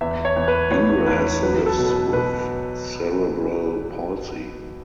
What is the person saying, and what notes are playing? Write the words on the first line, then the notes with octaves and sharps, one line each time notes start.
Gingras lives with cerebral palsy.
E2 E5
C#5
E2
B4
E2 C#5
E2 B4
F#3 B4
A4
B2
B4
B2 B4